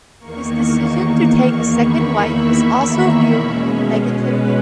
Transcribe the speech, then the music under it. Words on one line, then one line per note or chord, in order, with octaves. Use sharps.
His decision to take a second wife was also viewed negatively.
E2 D#3 A#3 C#6
B5
E5
B2 G#3 C#4
B4